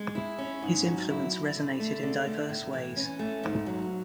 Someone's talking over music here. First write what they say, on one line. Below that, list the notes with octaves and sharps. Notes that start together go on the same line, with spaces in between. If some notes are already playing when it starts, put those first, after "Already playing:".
His influence resonated in diverse ways.
Already playing: G#3
E4
C#4
G#2
F#3
E4
E4
D3
A3
D3
A3
A2
E3
C#4
A3
G#2
F#3